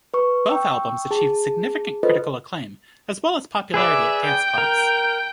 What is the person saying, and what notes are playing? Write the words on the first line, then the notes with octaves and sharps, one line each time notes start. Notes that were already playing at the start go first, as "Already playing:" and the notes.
Both albums achieved significant critical acclaim as well as popularity at dance clubs.
B4 C#6
G5 C#6 E6
G#4 A5
F4 A4 B4 C5 D#5
G#4 B4 D5 E5
G5
A#4